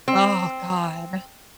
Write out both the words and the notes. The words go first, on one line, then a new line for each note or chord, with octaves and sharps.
Oh, God.
C4